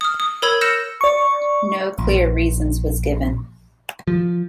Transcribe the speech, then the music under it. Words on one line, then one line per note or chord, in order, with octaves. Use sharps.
No clear reasons was given.
D#6 F6
D#6
A#4 C#5 B5 E6 G#6
E6 F6 G6 A#6 C#7 E7
D5 C#6
A#1
F3